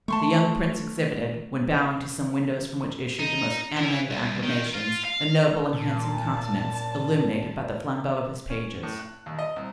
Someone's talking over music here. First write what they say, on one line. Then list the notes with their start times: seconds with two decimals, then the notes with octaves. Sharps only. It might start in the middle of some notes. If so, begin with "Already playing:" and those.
The young prince exhibited, when bowing to some windows from which issued the most animated acclamations, a noble and handsome countenance, illuminated by the flambeaux of his pages.
0.08 A3 A5 C6 C#6
3.19 D#4
3.76 E3
4.10 C2
4.43 D#3
4.73 F4
5.05 F5
5.73 A#2 A5
8.50 C#4
8.83 A2
8.99 F#6
9.26 D#2
9.39 D#5
9.56 C2